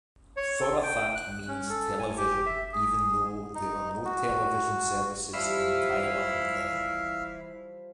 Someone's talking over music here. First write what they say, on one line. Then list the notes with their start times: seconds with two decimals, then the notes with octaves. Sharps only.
"Thorathat" means "television" even though there were no television services in Thailand then.
0.37 C#5
0.60 A4
0.83 G5
1.15 F#6
1.48 C#4
1.70 A4
1.99 G#5
2.17 G4
2.46 E5
2.73 G#4
3.55 D#4
4.05 F#4
5.33 E3 F3 G3 E4 E5 F5